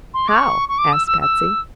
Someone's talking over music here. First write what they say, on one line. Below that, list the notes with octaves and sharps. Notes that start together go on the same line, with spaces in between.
"How?" asked Patsy.
C6
D6
C#6
C#6
D6
E6
E6
E6